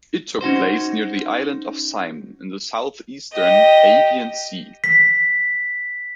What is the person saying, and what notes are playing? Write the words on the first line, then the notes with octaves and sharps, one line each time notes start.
It took place near the island of Syme in the south-eastern Aegean Sea.
C#4 D#4 F#4 C5
G4 D#5
B6